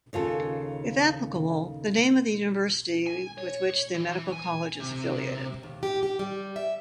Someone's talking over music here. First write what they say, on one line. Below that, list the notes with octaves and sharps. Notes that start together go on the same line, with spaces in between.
If applicable, the name of the university with which the medical college is affiliated.
D#2 C#3 F4 A4
G#5
C#5
E3
G#5
C3
D#2
G4
G4
G3
E5